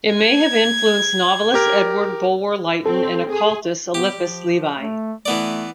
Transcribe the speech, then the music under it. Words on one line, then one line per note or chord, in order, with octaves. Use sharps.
It may have influenced novelist Edward Bulwer-Lytton and occultist Eliphas Levi.
G#6
G4 A#4
C4 A4
G#4
B3 G4
F3
A3
E3 A3 B3 D5